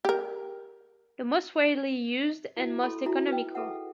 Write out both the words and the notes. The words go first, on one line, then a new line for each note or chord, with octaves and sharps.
The most widely used and most economical.
G4 A#4
E4 F#4 E5
E4 A4 B5 C6
D#4 E4 F#4 E5 A#5
B4 G5
G#4 A4 B4 E5 F#5